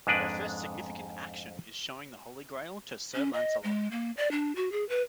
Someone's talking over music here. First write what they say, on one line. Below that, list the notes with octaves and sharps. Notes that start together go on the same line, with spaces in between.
Her first significant action is showing the Holy Grail to Sir Lancelot.
F2 G#2 G#3 D4 B4 D5
C#4
D#5
G#3
A#3
D5
D4
F#4
G#4
B4